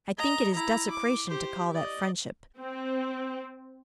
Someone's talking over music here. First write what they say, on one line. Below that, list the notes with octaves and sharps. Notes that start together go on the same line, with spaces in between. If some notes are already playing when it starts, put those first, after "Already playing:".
I think it is desecration to call that friendship.
D#5 A#5
E4 A#5
D6
G4 C5
D5 D#5
C4